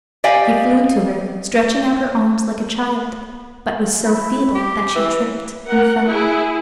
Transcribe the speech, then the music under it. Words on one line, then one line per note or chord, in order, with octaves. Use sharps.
She flew to her, stretching out her arms like a child, but was so feeble that she tripped and fell.
G4 D5 D#5 F5 G#5
E4
G4
E3
A#4 F#5
E4 G#4